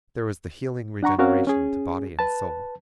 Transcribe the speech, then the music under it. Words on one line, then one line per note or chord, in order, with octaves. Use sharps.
There was the healing regeneration to body and soul.
D4 F#5 A#5 C#6
C4 C#4 F#4 A#4 C#5 F5
C#4 G#4
B4 A5